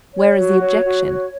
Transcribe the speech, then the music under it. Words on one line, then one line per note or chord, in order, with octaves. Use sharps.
Where is the objection?
C#5
F#4
C#5
F#4
C#5